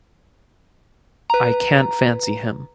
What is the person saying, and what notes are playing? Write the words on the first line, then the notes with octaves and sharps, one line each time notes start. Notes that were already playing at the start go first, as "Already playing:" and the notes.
I can’t fancy him.
B4 A#5